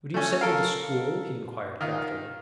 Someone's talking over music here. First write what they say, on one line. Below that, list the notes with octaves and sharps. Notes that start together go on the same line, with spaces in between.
"Would you send me to school?" he inquired craftily.
A3 C#4
A4 A#4 F5
D#3 F4